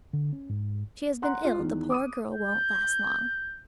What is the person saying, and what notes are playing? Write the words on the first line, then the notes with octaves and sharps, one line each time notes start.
"She has been ill; the poor girl won't last long."
D3
C#4
G#2
F#5 A#5 C6 F#6
F4
E2 D#3
D6 D#6 D#7
G6